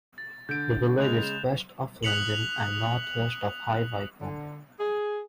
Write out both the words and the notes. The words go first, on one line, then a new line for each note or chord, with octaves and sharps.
The village is west of London and north west of High Wycombe.
A6
D3 G6 D7
C#3 G#3 F#6 F7
E7 G7
D#6 F#6 B6 C#7 F7 F#7
D3
G#4